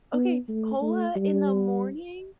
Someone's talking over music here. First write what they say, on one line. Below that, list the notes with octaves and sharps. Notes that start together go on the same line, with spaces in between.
Okay, cola in the morning?
B3
A3
A3
G3